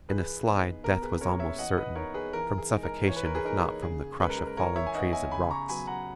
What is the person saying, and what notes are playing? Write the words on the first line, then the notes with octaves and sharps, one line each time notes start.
In a slide death was almost certain, from suffocation if not from the crush of falling trees and rocks.
E3 G#4 B4
B3 D#4
B2 A#4
G#4 B4
A#3 C#4 A#4 C#5
C#5 E5
E3 D#5 F#5
B4 D#5
B3 D#4 A#4 C#5
G#4 B4
E3 A#4
G#4
G#3 D#4
A#4
E3 C#5
B4
A#4
G#4 B4
A#3 D#4 A#4
C#3 G#4
G#3 C#4 B4
A#4
G#4
A#4
E3 A#4 C#5
C#5 E5
G#5
B3 D#4 D#5 F#5
E5 G#5
C#3 G#5 B5
A#5 C#6
F#3 B3 G#5 B5
F#5 A#5